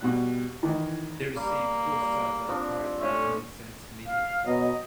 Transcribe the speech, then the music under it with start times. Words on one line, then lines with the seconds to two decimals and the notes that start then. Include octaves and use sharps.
It received four stars out of five on "Common Sense Media".
0.01 B2 G3 F#6
0.63 D#3 E3 D#4 E4
1.36 G3 A#3
2.02 G3
2.48 F3 C4 D4
3.01 A2 C#4 C5 E5
4.06 F5
4.46 B2 F#3 D#5